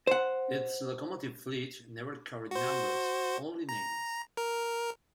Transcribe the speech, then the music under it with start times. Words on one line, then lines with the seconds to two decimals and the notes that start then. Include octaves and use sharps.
Its locomotive fleet never carried numbers, only names.
0.07 C5 F#5
2.51 F#4 C5
3.69 A#5
4.37 A#4